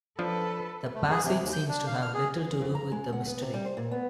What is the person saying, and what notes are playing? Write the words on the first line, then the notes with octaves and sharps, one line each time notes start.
The passage seems to have little to do with the mystery.
F3 D4 A4 B4
A3
G#4
C3
D#2
G6
D4
F5
F6
G#4
F2
A#5
G#3
F#5
B3
C3
G3
C5
A#2
B3